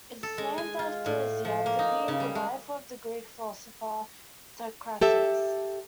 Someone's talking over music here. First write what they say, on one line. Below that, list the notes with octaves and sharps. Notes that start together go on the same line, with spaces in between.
It is named after Xanthippe, the wife of the Greek philosopher Socrates.
A4
G#3
G#5
F4
A2
F3
A#3
D#4
C#3
G3
G#3
G4 A4 E5